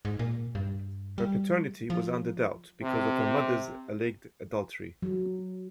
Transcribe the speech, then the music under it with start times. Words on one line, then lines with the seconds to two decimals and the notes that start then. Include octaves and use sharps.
Her paternity was under doubt because of her mother's alleged adultery.
0.05 G#2
0.19 A#2
0.55 G2
1.18 G3
1.90 F3
2.82 C3
5.02 F#3